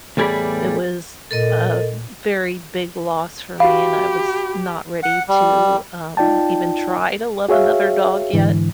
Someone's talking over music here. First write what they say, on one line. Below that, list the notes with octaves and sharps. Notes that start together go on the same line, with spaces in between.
it was a very big loss for me, and I was not ready to, um, even try to love another dog yet.
E2 A2 G3 G#4 D5 B5
A#2 A4 A#4 D#5
F#4 G4 F5 B5
F#5
G3
D#4 F4 D5 G5 A5
F#4 G#4 C#5 E5 F5
G#2 D3 E3